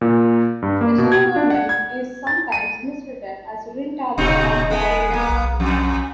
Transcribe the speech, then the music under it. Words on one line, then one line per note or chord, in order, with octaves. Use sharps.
His pseudonym is sometimes miswritten as Rin Taro or Taro Rin.
A#2
G2
A#3
B2
G#6
D4
F#5
G#6
A6
D#7
E1 A#2 C#3 D#4
G#3 B3 G#4
A#3 B3
B1
F2